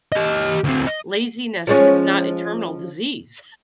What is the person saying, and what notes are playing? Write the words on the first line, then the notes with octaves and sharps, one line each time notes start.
"Laziness is not a terminal disease,"
G4 D#5
D2 C4
D#5
F3 G#3 C#4